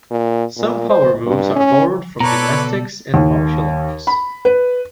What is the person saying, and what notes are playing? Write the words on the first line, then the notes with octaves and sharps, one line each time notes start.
Some power moves are borrowed from gymnastics and martial arts.
A#2
A#2
C5
G2
C#4
B2 A4 B4 C#5 D5 A#5
D#2
B5
B4